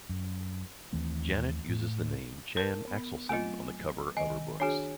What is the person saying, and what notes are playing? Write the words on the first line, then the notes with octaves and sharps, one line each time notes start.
Janet uses the name Jan Axelson on the cover of her books.
F#2
D#2 E3 A3 C4
A2
A#4 A5
B3 B5
F#3 A3 C4 F4 D#5 G#5
D#3 D#5 G#5
D4 F#4 G#4 C#5 G#5